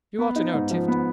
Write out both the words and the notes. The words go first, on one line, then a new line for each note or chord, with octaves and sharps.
You ought to know Tifto.
B3
D#4
G#2
F3
B3